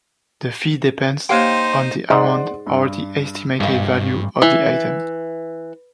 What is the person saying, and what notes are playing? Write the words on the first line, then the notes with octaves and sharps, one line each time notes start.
The fee depends on the amount or the estimated value of the item.
A#3 D#4 G4 C5 C#5 F5 G5 C6
G#2 D5 F#5 C6
G2
G#1 G2 F5
E3